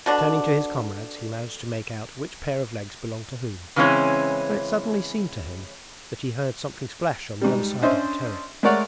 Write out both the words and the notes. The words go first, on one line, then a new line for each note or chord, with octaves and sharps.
Turning to his comrades he managed to make out which pair of legs belonged to whom, when it suddenly seemed to him that he heard something splash on the other side of the Terek.
B2 D3 D4
C#3 E3 G#3 C4 C#4 E4
G#2 G3
C#4 D4 C5 D#5 E5
G#3 A3 A#4 C#5 D5 F#5